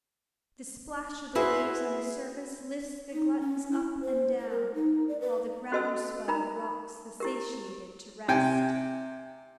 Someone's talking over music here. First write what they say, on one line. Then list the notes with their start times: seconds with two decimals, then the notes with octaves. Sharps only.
The splash of the waves on the surface lifts the gluttons up and down, while the ground-swell rocks the satiated to rest.
1.35 E4 F#4 G#4 B4 C5 E5
3.13 D#4
3.40 C#4
3.72 E4
4.01 C5
4.38 C5
4.50 A#4
4.74 D#4
5.08 D5
5.20 B4
5.72 C#4 F#4 A4 D#5 A5 E6
6.28 D#4 A#4 A#5 B5
7.20 E4 G4 A#4
8.28 C3 G5 G#5